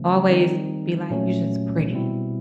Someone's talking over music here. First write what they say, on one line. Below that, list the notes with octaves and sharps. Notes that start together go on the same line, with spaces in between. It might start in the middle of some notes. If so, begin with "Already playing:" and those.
always be like, "You're just pretty,
Already playing: C#3 F3 A3 C#4
D#3 G3 C4 D#4
A#2 F#3 A3 C#4
B2 G3 C4 E4